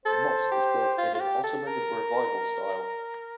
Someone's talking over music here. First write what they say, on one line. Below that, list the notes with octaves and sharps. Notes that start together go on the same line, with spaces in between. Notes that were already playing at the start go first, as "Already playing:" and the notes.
The mosque is built in an Ottoman revival style.
A4 C5
G4
F4
F4
G4
A4
A#4